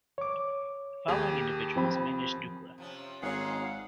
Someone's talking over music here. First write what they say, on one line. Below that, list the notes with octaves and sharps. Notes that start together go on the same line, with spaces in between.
The following individuals managed Dukla.
C#5 D6
D#2 G4 G#4
F3 C4 B5
C3 F3 C#4
G#1 A#2 G#3 G#4 C#5 F5 F#5